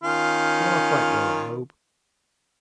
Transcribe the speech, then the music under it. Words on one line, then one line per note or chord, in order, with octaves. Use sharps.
You are quite well, I hope?
D#3 C#4 F4